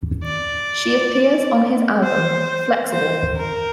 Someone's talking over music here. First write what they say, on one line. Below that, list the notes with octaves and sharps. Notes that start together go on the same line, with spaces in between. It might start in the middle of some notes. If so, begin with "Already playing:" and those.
She appears on his album "Flex-Able".
D5
C5
C5
A#4